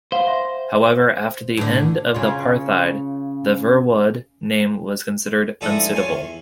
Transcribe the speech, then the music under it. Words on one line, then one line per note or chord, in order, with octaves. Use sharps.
However, after the end of apartheid, the Verwoerd name was considered unsuitable.
C5 F5 F#5 B5
E5 C6
A2 D3
C#3 F4
G#2 E3 F3 D4 A4 D#6
F4 C#5 G#5 C6
E2